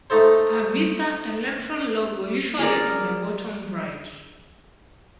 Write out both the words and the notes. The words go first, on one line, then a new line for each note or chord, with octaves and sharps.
A Visa Electron logo, usually on the bottom right.
A3 D#4 A4 C5
G#4 A#4 D5